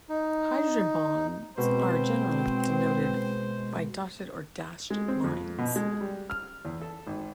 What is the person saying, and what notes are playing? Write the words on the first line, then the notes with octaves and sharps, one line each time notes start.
Hydrogen bonds are generally denoted by dotted or dashed lines.
D#4
B2 G#3 C4 C5
G#3
C4
F2
B2
G#3
G3
F6
E2
A4
G#1